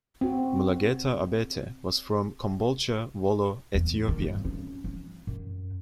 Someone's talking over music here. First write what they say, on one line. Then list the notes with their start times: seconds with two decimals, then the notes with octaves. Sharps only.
Mulugeta Abate was from Kombolcha, Wollo, Ethiopia.
0.21 C4 F#4
3.75 E2
4.08 D#3
4.22 G2
4.45 C#4
4.84 F3
5.27 F#2